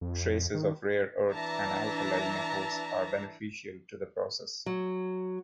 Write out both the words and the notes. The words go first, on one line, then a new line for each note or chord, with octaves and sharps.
Traces of rare earth and alkali metals are beneficial to the process.
F2
D#3
E3 D4 E5 A5 A#5
F#3